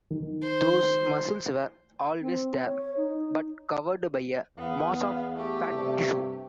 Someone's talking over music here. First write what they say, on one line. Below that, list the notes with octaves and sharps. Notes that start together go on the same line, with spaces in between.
Those muscles were always there but covered by a mass of fat tissue.
D#3
C5
C4
C#5
D#4
E2 B3 F5
A3 G4
G2 C3